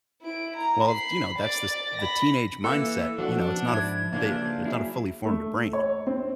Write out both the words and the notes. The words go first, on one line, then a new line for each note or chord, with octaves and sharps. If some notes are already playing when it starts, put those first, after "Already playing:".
well, th you know, that's the s the teenage mindset, you know, it's not a f they it's not a fully formed brain,
E4 D7
A#5
B5 C7
D5 A6
B5 A#6
E3 A#3 A4
B2 F3 D4 F#4 F5 F#5
G#2 E4 G#6
C#3 E3 F3 A#3 D4 F4
F#3 E4 G#4
A3
C#5
C4